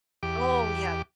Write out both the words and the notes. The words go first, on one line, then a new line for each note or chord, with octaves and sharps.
Oh, yeah.
E2 G4 D6